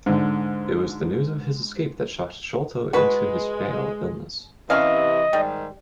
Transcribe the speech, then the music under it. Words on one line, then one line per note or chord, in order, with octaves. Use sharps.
It was the news of his escape that shocked Sholto into his fatal illness.
G#2 D3
G#3 F#4 B4
C3 E3 C#4 D#5 F5
G#2 D#3 G3